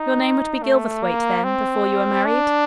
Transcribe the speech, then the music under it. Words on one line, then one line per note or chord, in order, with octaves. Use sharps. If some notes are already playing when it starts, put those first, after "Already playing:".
"Your name would be Gilverthwaite, then, before you were married?"
Already playing: D#4
A3
A#3
C4
D4